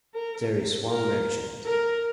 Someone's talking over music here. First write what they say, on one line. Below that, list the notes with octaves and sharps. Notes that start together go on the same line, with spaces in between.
There is one merchant.
A#4
A#4
A#4